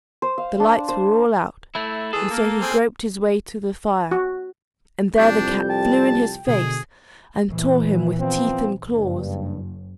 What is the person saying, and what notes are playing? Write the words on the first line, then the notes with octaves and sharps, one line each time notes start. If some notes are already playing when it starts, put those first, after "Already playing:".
The lights were all out, and so he groped his way to the fire, and there the cat flew in his face, and tore him with teeth and claws.
C5
F5
D4
C5
A3 E4
E3 G#4 A4
A#3
C4 G#4
F#4
C2 F2 G3 D4 G6
G5 A5
B2 D3 G#4
A#2 E3
F3 B3 C4
F#1 G2